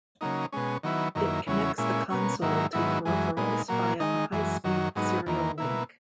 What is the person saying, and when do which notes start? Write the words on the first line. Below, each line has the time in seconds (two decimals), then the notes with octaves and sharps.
It connects the console to peripherals via a high-speed serial link.
0.21 C#3 F#3 A#3 D#4
0.52 B2 G#3 C#4
0.83 D#3 F#3 B3 E4
1.15 F#2 D#3 A#3 E4
1.46 E2 C#3 F#3 C#4 E4
1.78 A#2 G#3 C#4 E4
2.10 B2 A#3 C#4
2.42 G#2 D#3 F#3 A#3 E4
2.73 G#2 D#3 F#3 B3 E4
3.05 F#2 E3 G#3
3.37 A#2 G#3 B3 D#4
3.68 A#2 F#3 A#3
4.00 D#3 G#3 D#4
4.32 F#2 E3 G#3
4.64 F#2 D#3 F#3
4.95 G#2 F#3 B3 D#4
5.26 E2 D#3 A#3
5.58 B2 A#3 E4